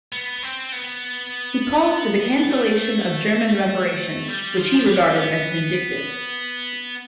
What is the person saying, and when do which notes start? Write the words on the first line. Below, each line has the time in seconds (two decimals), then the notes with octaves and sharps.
He called for the cancellation of German reparations, which he regarded as vindictive.
0.12 B3
0.43 C4
0.72 B3
2.50 A3
4.28 G3
4.57 F3
4.86 G3
5.15 B3